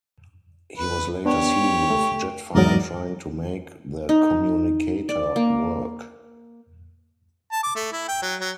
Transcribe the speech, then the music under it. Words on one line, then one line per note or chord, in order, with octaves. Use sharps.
He was later seen with Jetfire trying to make the communicator work.
B4
B3 D4 G4 C#5
A3
E2 G#2 F#3 A#4 D5 D#5
D#4
D5
A#3
A5
D6
A3
E4
G5
F#3
F#3